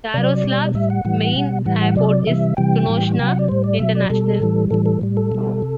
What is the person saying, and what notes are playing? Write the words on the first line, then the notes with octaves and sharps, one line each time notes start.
Yaroslavl's main airport is Tunoshna International.
C3 F#3 D5
B2 G3
A2 G3 E5
F#5
A2 E3 G3
B2 G3
A2 E3 G3 F#5
F#5
C3 F#3 D5
C3 E3 G3 E5
C3 E3 G3 G5
A2 E3 G3
C3 F#3 G5
F#5
D5
A2 G3 C5
D5
B2 F#3 E5
D5
B2 G3 A4
A2 E3 G3
A2 E3 G3 A4
A4
A2 G3
A4
B2 G3
C3